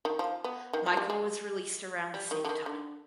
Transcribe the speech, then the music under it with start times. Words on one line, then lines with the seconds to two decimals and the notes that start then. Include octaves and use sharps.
Michael was released around the same time.
0.05 D#3
0.19 F3
0.44 B3
0.73 D#3
0.86 F3
0.97 G3
1.10 G#3
2.14 G3
2.31 D#3
2.45 D3
2.49 D#3
2.66 D3